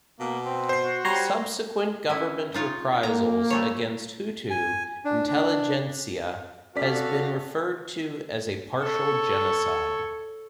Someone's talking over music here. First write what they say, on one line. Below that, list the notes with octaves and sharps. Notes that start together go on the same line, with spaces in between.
Subsequent government reprisals against Hutu intelligentsia has been referred to as a 'partial genocide'.
B2 A#3
C4
C5 C7
F#4
G3 C#5 A#5 C6
C#4 E4
D#4 F4 C#5
A#3 A#5
G3 A3 C#5
G#5
D4
D4
C#4 F#4 A4 D5 F5 B6
A4 C#5